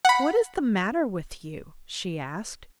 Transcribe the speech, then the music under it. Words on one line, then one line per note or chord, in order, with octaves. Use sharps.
"What is the matter with you?" she asked.
F#5 B5